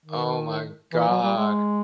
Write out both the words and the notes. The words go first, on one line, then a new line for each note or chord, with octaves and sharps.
Oh my god.
D#3
E3
F#3
G3
G#3